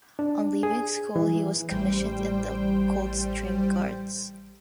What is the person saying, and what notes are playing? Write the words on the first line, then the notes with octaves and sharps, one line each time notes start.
On leaving school he was commissioned in the Coldstream Guards.
D4
G#4
E3
A1 G3 C5 G5